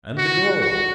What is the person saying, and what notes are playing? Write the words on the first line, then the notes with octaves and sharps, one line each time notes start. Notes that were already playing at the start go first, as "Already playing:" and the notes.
"And the gold?"
F#4
F#4